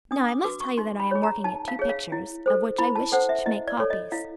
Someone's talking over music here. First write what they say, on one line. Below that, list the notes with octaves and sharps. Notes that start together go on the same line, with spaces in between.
Now I must tell you that I am working at two pictures of which I wished to make copies.
D4 D#6
D6
D#6
F#4 B4 D6
C#6
D#4 C6
B5
G#4 C#5
A#5
D#4 A5
F5
G#4 C#5
F5
E4
A4 C5
E4 B5
A5
A4 C5 F#5
E5
E4 D#5
D5
A4 C#5
D#5
E4 F5